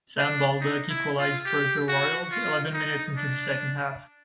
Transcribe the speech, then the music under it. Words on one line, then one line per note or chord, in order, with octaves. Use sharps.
Sam Baldock equalised for "the Royals" eleven minutes into the second half.
D4
D#4
E4
F4
G4
F#4
F4
D#4
D4